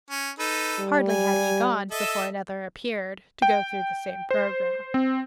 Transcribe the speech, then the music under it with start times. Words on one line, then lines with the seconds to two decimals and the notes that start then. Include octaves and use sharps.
Hardly had he gone before another appeared, to go through the same program.
0.10 C#4
0.39 D#4 A4 B4
0.79 G3
1.09 G#5
1.91 A4 D#5 E5
3.42 G5
4.31 C5
4.94 C4